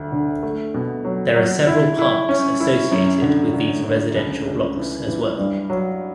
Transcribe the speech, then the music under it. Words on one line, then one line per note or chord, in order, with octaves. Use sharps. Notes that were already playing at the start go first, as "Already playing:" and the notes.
There are several parks associated with these residential blocks as well.
Already playing: D2 D3
D3
A3
B2
F#3
F#3
E4
E4
C#4
E4
F#2
D3
D3
D3
C#2
C#2
E3
E3
G2
F#3